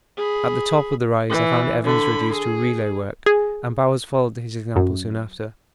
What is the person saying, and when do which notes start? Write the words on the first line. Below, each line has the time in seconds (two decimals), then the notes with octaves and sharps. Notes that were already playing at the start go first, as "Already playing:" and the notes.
At the top of the rise I found Evans reduced to relay work, and Bowers followed his example soon after.
0.17 G#4 B5
1.30 E3
1.84 D3 B5
2.33 G#4
3.26 G#4
4.76 F#2